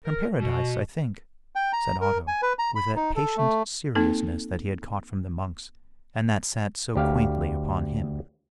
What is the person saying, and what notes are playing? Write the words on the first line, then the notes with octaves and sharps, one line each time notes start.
"From paradise, I think," said Otto, with that patient seriousness that he had caught from the monks, and that sat so quaintly upon him.
A#4
B2
G5
A#5
A#4
G#5
B4
A#5
B5
D#4
A4
A3
A#3 C4 D#4 A4
D2 G4 F5